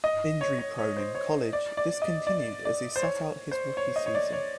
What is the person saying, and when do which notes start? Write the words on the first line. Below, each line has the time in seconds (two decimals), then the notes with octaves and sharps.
Injury-prone in college, this continued as he sat out his rookie season.
0.04 D#5
0.41 C#5
0.59 C#5
0.78 C#5
0.96 C5
1.15 C#5
1.53 D5
1.77 D5
2.02 D#5
2.27 D5
2.65 D5
2.96 C5
3.02 C#5
3.51 C5
3.77 C#5
3.96 D#5
4.06 C#5
4.15 D5
4.33 C#5